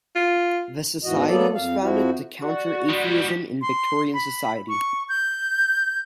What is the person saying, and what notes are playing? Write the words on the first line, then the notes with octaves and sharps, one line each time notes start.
The society was founded to counter atheism in Victorian society.
F4
E2 G#2 E3 F#4 D#5
F#3 A#3 B3 A4 D5
F2 F5
F2 F3 E4 F#4
F#4 D5
G3 G#3
C6
B5
C#6
G6